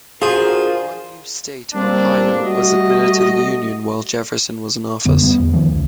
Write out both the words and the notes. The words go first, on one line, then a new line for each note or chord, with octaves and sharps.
One new state, Ohio, was admitted to the Union while Jefferson was in office.
D4 F4 F#4 G#4 A#4 C5
G3 A#3 C4 D4
G3 A3 F#4 D#5
F2 D3 B3
G3 G#3 B3
E2
D#3 F3 A3
C#2